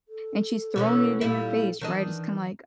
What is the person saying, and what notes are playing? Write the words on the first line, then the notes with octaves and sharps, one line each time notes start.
and she's throwing it in your face, right, it's kinda like,
A4
B2 E3 C#4
A#2 G3 E4
D#3 E3 D4 D#5